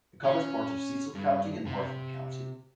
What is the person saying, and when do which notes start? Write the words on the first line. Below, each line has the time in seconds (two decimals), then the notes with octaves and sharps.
It covers parts of Cecil County and Harford County.
0.24 C#4
1.15 G2
1.67 C3